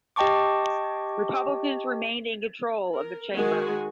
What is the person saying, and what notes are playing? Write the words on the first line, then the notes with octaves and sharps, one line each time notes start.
Republicans remained in control of the chamber.
G4 D#5 G5 A5 C#6 D6
A#4
D#3 G#3 F#4 G#5